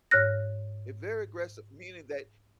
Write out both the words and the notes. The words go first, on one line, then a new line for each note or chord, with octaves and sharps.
They're very aggressive, meaning that
G#2 C#5 F6 F#6 A#6